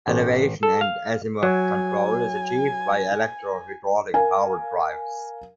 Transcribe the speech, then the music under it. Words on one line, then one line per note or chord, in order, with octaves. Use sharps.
Elevation and azimuth control is achieved by electro-hydraulic power drives.
A1
A4
F5
F#3 G#5
A#4 F5 G#5